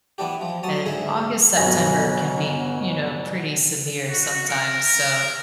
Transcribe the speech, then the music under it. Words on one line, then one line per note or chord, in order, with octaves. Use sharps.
and August, September can be, you know, pretty severe sometimes, so,
E3 B3 D4 G4
F3
F#3 A5 D#6
G#2 G#4 E5
G1 B2 F#3 G#5 A#6
F#4
A#4
A#4